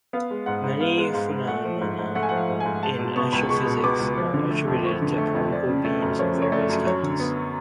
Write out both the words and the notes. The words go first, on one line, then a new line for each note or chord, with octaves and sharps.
Many phenomena in astrophysics are attributed to particle beams of various kinds.
B3 F5
G#3
G#2 F#5
G#2
B3 F5
G#3
G#2 F5
G#2
A3 F#5
F3
G#2
G#2
A3 F#5
G#5
F3 F#5
F5
G#2
G#2 G#5
G#3 A5
B2
B3 C#6
C#2 B5
G#3 C#6
B2
B3 D6
C#2
F3
D3
A3
F2
F3 C#6
D3
A3
F2
F3 D5
C#3
A3
F#2
F3 C#5
C#3
C#5
A3 D5
F#2
F#3 C#5
D3
B3